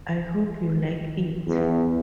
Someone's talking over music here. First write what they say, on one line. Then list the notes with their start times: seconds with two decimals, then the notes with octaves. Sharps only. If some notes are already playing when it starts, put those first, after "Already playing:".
I hope you like it.
1.48 E2